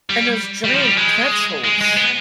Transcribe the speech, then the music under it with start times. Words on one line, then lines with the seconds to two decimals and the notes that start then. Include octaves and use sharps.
And those giant pretzels.
0.09 G3
0.64 G3
0.73 F3
0.82 G3
0.97 G#3
1.64 G#3
1.81 G#3
1.97 B3